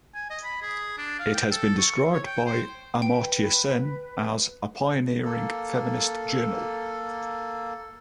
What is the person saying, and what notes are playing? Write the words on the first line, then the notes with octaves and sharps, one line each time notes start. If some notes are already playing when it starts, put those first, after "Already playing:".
It has been described by Amartya Sen as "a pioneering feminist journal".
G#5
D#5
B5
G#4
D4
F5
G5
A4
C#6
C#5
G5
C5
B4 G5
A#3 A4